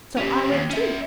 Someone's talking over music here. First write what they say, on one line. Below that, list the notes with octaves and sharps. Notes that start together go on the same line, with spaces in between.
So I went too.
C#4 G4
D#2
C#4 E5